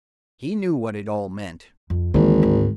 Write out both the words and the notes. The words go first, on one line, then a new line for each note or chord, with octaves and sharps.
He knew what it all meant.
F2
G#1 D2 D#3 E3 A#3
G#2